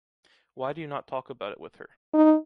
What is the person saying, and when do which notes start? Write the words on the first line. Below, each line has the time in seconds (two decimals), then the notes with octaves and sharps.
Why do you not talk about it with her?
2.14 D#4